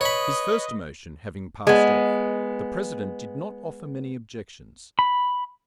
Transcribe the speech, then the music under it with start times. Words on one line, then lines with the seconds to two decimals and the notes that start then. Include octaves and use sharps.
His first emotion having passed off, the President did not offer many objections.
0.01 B4 C#5 D#5 B5
1.67 G#3 B3
4.99 B5